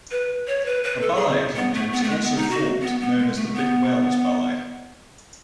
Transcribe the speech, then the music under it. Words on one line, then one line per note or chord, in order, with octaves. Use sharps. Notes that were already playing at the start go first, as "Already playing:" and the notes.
A ballet company was also formed, known as the Vic-Wells Ballet.
B4
C#5
B4
B4
A4
G#4
B3
A3
B3
A3
G#3
B3
D#4
F#4
B3
B3
G#3
A3
B3